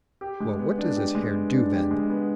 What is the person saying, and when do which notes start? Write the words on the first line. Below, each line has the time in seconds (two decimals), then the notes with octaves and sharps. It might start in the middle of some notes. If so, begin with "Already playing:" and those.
"Well, what does his hare do, then?"
0.21 G4
0.40 G#3
0.59 B3
0.78 D4
0.96 G4
1.15 G#3
1.33 B3
1.53 D4
1.72 G4
1.91 G#3
2.09 B3